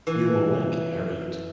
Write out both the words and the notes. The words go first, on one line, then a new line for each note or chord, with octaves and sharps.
You will like Harriet.
E3